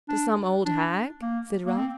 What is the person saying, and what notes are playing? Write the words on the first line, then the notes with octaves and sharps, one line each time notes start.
'To some old hag?' said Ralph.
D4
D4
A#3
A#3
C4